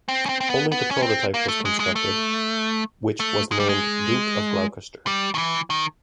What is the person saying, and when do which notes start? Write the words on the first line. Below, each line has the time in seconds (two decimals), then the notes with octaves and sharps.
Only the prototype was constructed, which was named "Duke of Gloucester".
0.09 C4
0.26 C#4
0.29 C4
0.41 C4
0.50 B3
0.72 B3
0.91 C#4
1.02 C4
1.34 A#3
1.48 A3
1.65 G#3
1.80 G#3
1.96 A3
3.20 A3
3.52 G#3
3.60 G3
3.69 G#3
5.07 G3
5.35 D#3
5.38 E3
5.70 D#3